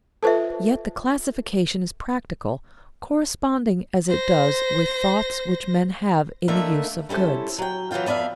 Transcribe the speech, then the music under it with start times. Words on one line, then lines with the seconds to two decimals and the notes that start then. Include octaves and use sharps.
Yet the classification is practical, corresponding as it does with thoughts which men have in the use of goods.
0.23 F4 A4 B4 C5 E5 A5
4.09 C5 A#6
6.48 D3 A3 A#3 D4 D#4 E5
7.09 G3 C#4 E4 A4 C5
7.58 F#3 G5
7.91 E3 F#3 B3 F4 G5
8.06 F2 B3 D5 E5 F5